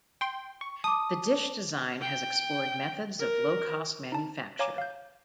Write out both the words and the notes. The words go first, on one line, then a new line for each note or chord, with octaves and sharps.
The dish design has explored methods of low-cost manufacture.
G5 C6
C#6
A5 D6 D#6
G5
A#4
D#4 A5
C#5 F5 G#5 A#5 D6
F5 G6